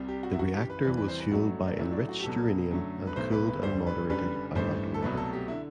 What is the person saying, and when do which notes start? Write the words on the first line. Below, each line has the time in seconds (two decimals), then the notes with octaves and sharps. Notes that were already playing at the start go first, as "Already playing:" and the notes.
The reactor was fueled by enriched uranium and cooled and moderated by light water.
Already playing: C2 C3 G3
0.08 G4
0.23 F#4
0.33 E4
0.39 G1 F#2 E3 F#4
0.54 G4
0.70 B4
0.85 E2 C3 E3 G3 B4
0.97 B4
1.08 C5
1.20 B4
1.31 A1 G2 F#3 A3 F#4
1.67 D4
1.78 A1 A2 F#3 A3 E4
1.93 D4
2.09 F#4
2.20 G4
2.23 C2 B2 F#3 A4
2.71 F#2 D3 F#3 A3
3.07 B4
3.16 B1 B2 A3 C5
3.32 B4
3.48 B4
3.63 E1 D2 D3 G3 C5
3.87 B4
4.09 F#1 F#2 D3 G3 B4
4.55 A1 G2 E3 A3 C5
4.94 A4
5.03 C2 B2 F#3 A3 B4
5.17 A4
5.33 G4
5.48 D3 E4